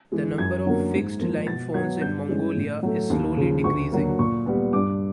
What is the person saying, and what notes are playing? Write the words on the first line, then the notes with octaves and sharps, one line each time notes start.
The number of fixed-line phones in Mongolia is slowly decreasing.
E3 G#3
F#2 G#6
D3 F#3 A#3
G#2
F3 A#3
B2 A6
F#3 B3 G#6
G2 G6
E3 G#3 C#4
A2
F#3 A3
D#2
C#3 F3
D2 C#6
D3 F#3 A#3
A#2 C#6
G3 B3
G2 D6